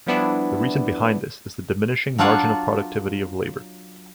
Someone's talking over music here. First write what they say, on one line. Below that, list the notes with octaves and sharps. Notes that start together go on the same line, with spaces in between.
The reason behind this is the diminishing marginal productivity of labor.
F3 G3 B3 D4 E4
F#3 D4 F4 C#5 D5 F#5